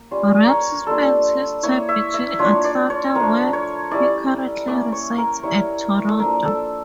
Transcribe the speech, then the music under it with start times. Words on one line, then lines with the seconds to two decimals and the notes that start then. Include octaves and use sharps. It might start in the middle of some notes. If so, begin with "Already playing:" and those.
Rams spends his time between Atlanta, where he currently resides and Toronto.
Already playing: A#3
0.11 G3 C#4 F4
0.44 A#4 C#5
0.87 G3 A#3 D4 F4 A4
1.63 A#3 E4 C#5
1.89 E5
2.14 E5
2.39 A#3 D4 F4 C#5
2.64 D5
2.90 C#5
3.15 F3 A3 D4 A#4
3.53 C#5
3.91 G3 C#4 E4 D5
4.67 A#3 C#4 E4 D5
4.92 C#5
5.18 A#4
5.43 G3 C#4 E4 C#5
6.10 A4
6.19 F3 A#3 D4 A#4
6.45 A4